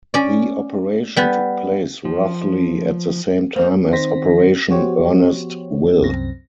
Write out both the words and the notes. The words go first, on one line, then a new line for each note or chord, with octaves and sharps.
The operation took place roughly at the same time as Operation Earnest Will.
C#4 D5
G3 B3 B4
F3
A#3 C5
D#3 C4 D#4 C5 A#6 B6
F3 B3 F#4 G4 C5 C#5
C2 F#2 C4 A#6